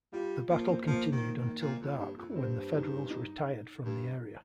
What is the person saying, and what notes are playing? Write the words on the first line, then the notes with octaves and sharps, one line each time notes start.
The battle continued until dark, when the Federals retired from the area.
G3 F4
F3 A#3
C4
F3 A#3
D#3
D#3
A#2
F2
G2
F2
F2
G2 C4
D#4
D#4
G2